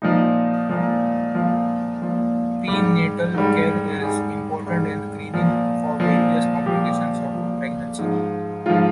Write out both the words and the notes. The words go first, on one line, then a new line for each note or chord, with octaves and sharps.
Prenatal care is important in screening for various complications of pregnancy.
A#2 F3 D#4
A#2 F3
A#2 F3 F4
A#2 F3
G#2 G3 G4
G#2 G3
G#2 G3 G#4
G#2 G3
A#2 F3
A#2 F3
A#2 F3 G4
A#2 F3
G#2 F3
G#2 F3 F4